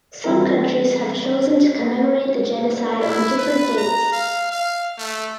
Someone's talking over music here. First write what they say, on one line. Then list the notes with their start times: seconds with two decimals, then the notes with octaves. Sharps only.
Some countries have chosen to commemorate the genocide on different dates.
0.24 E3 G3 C4 G#4 A#4
3.01 E4
3.38 B4
3.77 A#5
4.12 F5
4.51 F5
4.98 A3